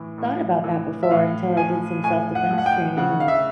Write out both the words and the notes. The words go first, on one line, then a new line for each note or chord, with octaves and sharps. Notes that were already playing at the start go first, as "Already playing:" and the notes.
thought about that before, until I did some self-defense training and
Already playing: A2 E3
A2
E3
E5
A2 F5
F3 G#5
A2 G#5
F#5
F3
F#5
G5
C#3 F#5
F5
E5